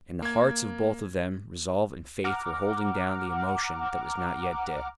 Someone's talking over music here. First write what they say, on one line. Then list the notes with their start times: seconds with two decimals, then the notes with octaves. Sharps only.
In the hearts of both of them resolve and faith were holding down the emotion that was not yet dead.
0.22 A#3 G#6
2.24 F#5 A#5 D6 F6